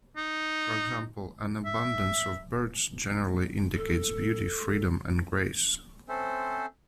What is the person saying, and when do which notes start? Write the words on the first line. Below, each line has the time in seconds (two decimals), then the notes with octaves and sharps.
For example, an abundance of birds generally indicates beauty, freedom and grace.
0.17 D#4
1.65 E5
3.76 A4
6.09 C4 C#4 A4 C5 E5